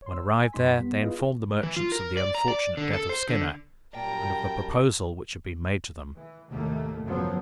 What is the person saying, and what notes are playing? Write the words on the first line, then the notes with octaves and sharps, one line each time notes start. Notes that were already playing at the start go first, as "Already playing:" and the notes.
When arrived there, they informed the merchants of the unfortunate death of Skinner, and of the proposal which had been made to them.
C#5 C6
E6
G#5
F#2 C#3 G#3 D#4 C6 B6
G3 B3
E4 F4 G#4 B4 D#5 F5
E3
F4
A#4
D5
A#5
D5
D3
A4
C5
D3
F#2 A#2 G3 A#4 G5 A5 A#5
E3
F1 D#2 A2 A3 A#3
G#1 F#2 C#3 F3 F#3 B3